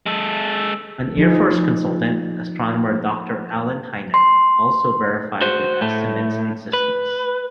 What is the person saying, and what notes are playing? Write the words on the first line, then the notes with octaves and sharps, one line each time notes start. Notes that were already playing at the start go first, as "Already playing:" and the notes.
An Air Force consultant, astronomer Doctor Allen Hynek, also verified the "Estimate"s existence.
G#3 A4
F3 D#4 G#4
C6
F#4 C5
A2 A3
B4